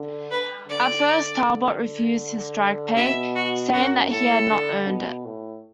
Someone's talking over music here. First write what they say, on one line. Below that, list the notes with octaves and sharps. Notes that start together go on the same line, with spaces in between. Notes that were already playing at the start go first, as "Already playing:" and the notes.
At first Talbot refused his strike pay, saying that he had not earned it.
Already playing: D3
B4
D3 D5
B2 E5
F#4
F#2 F#4
A2 A4
D3
B2
A2